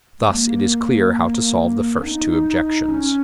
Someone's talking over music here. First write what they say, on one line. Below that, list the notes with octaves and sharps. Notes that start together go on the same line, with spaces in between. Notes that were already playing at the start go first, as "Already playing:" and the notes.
Thus it is clear how to solve the first two objections.
G#3
A#3
D#4
C#4